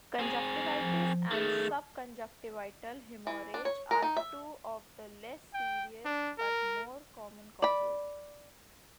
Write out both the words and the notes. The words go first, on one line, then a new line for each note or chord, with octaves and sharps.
Conjunctivitis and subconjunctival hemorrhage are two of the less serious but more common causes.
C4 G#4
F3
D#3 A3 G#4
E3
D4
C#5
A#4
D#4
E5
G5
D4
A#4
D5 B5